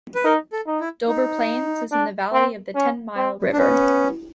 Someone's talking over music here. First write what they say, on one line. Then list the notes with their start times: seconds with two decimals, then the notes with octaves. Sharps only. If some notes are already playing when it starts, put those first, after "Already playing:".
Dover Plains is in the valley of the Ten Mile River.
0.15 B4
0.25 D#4 A#4
0.53 A4
0.67 D#4
0.80 E4
1.08 D#4
1.92 D4
2.33 C4
2.75 C#4
3.17 C4
3.53 D4
3.58 B3 C#4